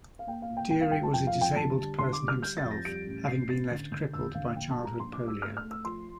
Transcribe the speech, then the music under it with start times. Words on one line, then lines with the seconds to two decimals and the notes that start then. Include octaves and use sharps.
Dury was a disabled person himself, having been left crippled by childhood polio.
0.19 F5
0.27 A#3 G5
0.42 F5
0.49 A#2
0.57 G5
0.70 C2 G5
0.81 F5
0.91 C2 G5
1.03 A5
1.13 F2 G5
1.27 F5
1.35 F2
1.41 G5
1.56 D3 A5
1.77 G3
1.99 D3 C6
2.13 D6
2.21 G3
2.28 F6
2.42 G3 G6
2.57 A6
2.64 F2
2.71 A#6
2.85 G3 D7
3.06 A1
3.27 A1 C7
3.49 A1 A6
3.71 D3 A6
3.92 D3 G6
4.13 E1 E6
4.35 D3 F5
4.56 A#1 G5
4.70 A5
4.78 G3
4.85 A#5
4.99 A#1 C6
5.13 D6
5.21 G3
5.28 E6
5.42 A3 F6
5.57 F6
5.64 A3
5.71 E6
5.85 F3 C6